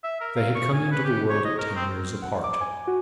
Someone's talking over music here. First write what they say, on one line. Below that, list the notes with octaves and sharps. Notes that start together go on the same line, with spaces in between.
They had come into the world ten years apart.
E5
A#4
F5
C#6
G#5
B4
G4
C#5
D#5
A#4
C4
F#5
D6
G#5
F#4